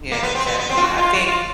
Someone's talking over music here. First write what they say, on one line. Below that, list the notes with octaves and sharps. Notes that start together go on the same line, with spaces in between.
Yeah, exactly. I think
A#3
B3
C4
B3
B3
C4
F4
F#4
F4
F#4
F4